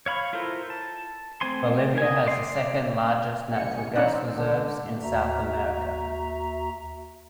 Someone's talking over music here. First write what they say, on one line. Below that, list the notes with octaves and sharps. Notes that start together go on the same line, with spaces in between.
Bolivia has the second largest natural gas reserves in South America.
C#5 F5 B5 C#6
E4 F4 A4 A#4 C5
A5
A3 C4 C5 G#5 C6
D#5 G#5
D5 C6
C2 C#3 G#5 C#7
E3 C4 C#4 D#4 F#5
C#2 D3 A3
D#2 F#4 E5 A#5